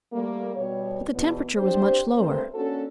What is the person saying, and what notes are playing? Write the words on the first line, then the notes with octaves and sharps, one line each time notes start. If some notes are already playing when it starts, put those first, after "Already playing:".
But the temperature was much lower.
G3 A3 A#3
B2 G3 C#5
E2 B2 B3
C4 D4 G4 C5
G2 A3 C4 A#4 C5
A#3 C#4 D4 F#4 A4